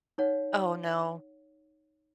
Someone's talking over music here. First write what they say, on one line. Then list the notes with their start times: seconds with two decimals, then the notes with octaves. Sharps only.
Oh, no.
0.18 D#4 C#5 F#5